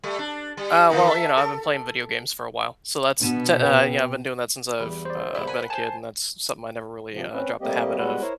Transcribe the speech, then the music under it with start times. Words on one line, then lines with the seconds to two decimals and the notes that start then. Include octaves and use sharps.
uh, well, you know, I've been playing video games for a while, so that's te uh, yeah, I've been doing that since I've, uh, been a kid, and that's something I never really, uh, dropped the habit of.
0.03 G3 A3
0.19 D4
0.57 G3
0.90 D#3 A#3 D#4
1.07 A4 E5
1.37 A4
3.21 B2 B3 D4 D#7 E7
3.63 B4 G5 F7
4.80 E2 G3
5.05 C5 D5
5.35 G#2 C3 B3 E4
5.47 A#4 F#5 G#5 B5
5.70 C5 G#5 A5
7.13 C3 F3
7.33 C4 C#4 B4
7.61 G3 A3 A#3 C4 G4 D#5
7.97 G3 G#3 B3 F#4 B4
8.21 E4 A#4 C5 C#5